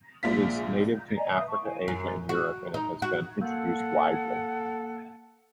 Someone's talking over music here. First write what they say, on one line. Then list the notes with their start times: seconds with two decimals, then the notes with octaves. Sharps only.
It is native to Africa, Asia, and Europe, and it has been introduced widely.
0.23 A#1 A#2 G#3 E4 F4 B6
1.17 D5 D#5 G#5 A#5
1.32 B4 E5 F5 D#6
1.48 A5 C#6
1.63 E4 F5 G#5
1.88 F#2
2.29 F#4
2.74 D#4
3.02 F#4
3.41 A#3 A4 F#5